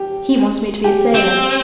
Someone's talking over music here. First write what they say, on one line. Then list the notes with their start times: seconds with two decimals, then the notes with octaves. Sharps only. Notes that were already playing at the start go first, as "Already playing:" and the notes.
"He wants me to be a sailor."
Already playing: G4
0.84 G4
1.14 C4